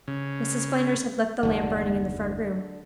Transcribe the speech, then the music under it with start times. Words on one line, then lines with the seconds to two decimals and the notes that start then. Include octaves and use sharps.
Mrs. Flanders had left the lamp burning in the front room.
0.08 C#3
1.43 F#1 D#2 D3